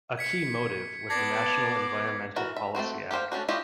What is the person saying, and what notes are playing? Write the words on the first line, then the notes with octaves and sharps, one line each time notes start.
A key motive was the National Environmental Policy Act.
G#6 B6 C#7
B3 D5 A5 D6 G#6 A#6 C7
E3 F#4 A#4
E5
A3 A#3 C4 F#4
G4 A#4 C5 F5
A3 C#4 D4 F#4
E4 F4 G4 C#5 D#5